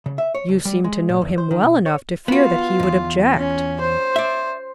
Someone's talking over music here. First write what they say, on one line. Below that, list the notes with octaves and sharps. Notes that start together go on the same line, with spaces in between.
"You seem to know him well enough to fear that he would object."
C#3
E5
C#5
C#2
G3
G#3
A#2
E2
C5
D#3
B2
C#5
B3 F4 F#4
E2 G#2
C#4
C5
D5 E5